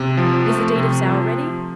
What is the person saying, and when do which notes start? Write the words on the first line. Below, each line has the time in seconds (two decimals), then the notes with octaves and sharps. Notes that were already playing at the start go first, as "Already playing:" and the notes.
"Is the deed of sale ready?"
Already playing: C3
0.17 F3
0.46 A3
0.76 C3
1.04 F3